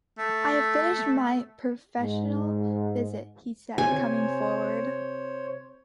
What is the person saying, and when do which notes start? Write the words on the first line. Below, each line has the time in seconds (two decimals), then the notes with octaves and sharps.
"I have finished my professional visit," he said, coming forward.
0.18 A3
1.98 G#2
3.78 C3 C5 C#5 G#5